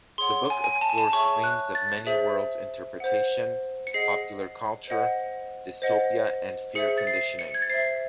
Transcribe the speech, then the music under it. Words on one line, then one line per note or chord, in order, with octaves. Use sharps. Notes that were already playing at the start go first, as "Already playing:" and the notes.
The book explores themes of Many-worlds interpretation, Popular culture, Dystopia and Fear conditioning.
G#4 C#5 F#5 C6
G#5
G#5
A5
G#5
A5
G#4 C#5 E5 C#6
F#6
A6
G#4 C5 E5
C5 F#5
C#7
G#4 D#5 F#5 C7
C5 D#5 F#5
C5 D#5 F#5
G#4 C5 E5 C#7
A6
C7
C#7
G#6
A6
C5 E5 C7